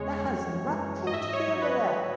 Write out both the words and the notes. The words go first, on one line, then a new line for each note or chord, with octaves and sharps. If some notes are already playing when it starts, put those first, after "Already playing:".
That has nothing to do with it!
Already playing: E2 C#3 G#3 C#5
F#2
E3 G#3
G#2 D#5
E5
D#5
C#5
F#3
B4